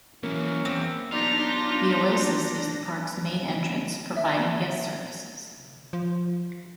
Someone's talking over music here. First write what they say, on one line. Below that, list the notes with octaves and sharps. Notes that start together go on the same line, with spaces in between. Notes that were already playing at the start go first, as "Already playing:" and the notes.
The Oasis is the park's main entrance, providing guest services.
E3 F#3 A#3 C#4
E2 C4
B1 D4 D#4 F4 G4 A#6
E5
F3